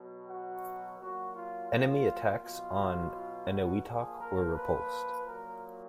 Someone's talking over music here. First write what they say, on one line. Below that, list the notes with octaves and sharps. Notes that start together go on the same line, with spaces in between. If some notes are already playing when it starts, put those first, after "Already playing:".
Enemy attacks on Eniwetok were repulsed.
Already playing: B2 F#3
F#4
A#2 F#3 F#4
F4
F4
B2 F#3 F4
F4
F#4
A#2 F3 G#4
A#4
B4
A#2 F#3 A#4